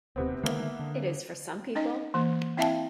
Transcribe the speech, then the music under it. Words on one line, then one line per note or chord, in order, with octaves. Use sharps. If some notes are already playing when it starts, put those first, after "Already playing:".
It is for some people.
D1 D#2 C3 B3 C4
D3 D#3 G#3 A#3 B3 E5
D3
C#4 D#4 D#5
E3 A#3
C4 E4 E5 F5 G5 A5